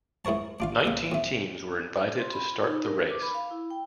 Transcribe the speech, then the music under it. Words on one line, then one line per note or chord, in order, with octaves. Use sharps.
Nineteen teams were invited to start the race.
G#2 E4 A#4 C#5 A5
D4 F4 F5
D#2 C#3
F2 E5
C5
C6
B5
F4
D#4
A#4
B4
D6
B5
F5
E4
G5